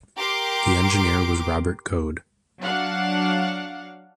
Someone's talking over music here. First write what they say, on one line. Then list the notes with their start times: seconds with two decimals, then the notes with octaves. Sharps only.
The engineer was Robert Coad.
0.18 G4 A#4 C6 D6
2.61 F#3 D4 F5 F#5